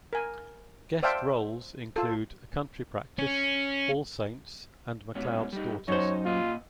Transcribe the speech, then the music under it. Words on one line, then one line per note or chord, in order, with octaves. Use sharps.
Guest roles include A Country Practice, All Saints and McLeod's Daughters.
A#4 G#5
C5 D5 E5 F5 G5 A5
F4 A4
C#4
G#2 B2 C#4
G3 D#4
F#2 D#4 C5 C#5
A#2 F4 D#5